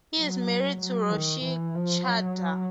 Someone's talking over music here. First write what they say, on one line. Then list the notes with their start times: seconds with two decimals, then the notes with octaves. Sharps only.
He is married to Roshi Chadha.
0.20 F#3
0.81 F#3
1.12 D#3
1.44 E3
1.75 F3
2.05 F#3